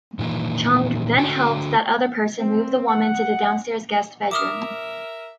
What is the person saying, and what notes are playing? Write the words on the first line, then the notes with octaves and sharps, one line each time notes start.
Chung then helped that other person move the woman to the downstairs guest bedroom.
A#2 D#3 E3 A#3
D3 F#4 G5
C4
F#5
A#4 E5 D6 D#6 F6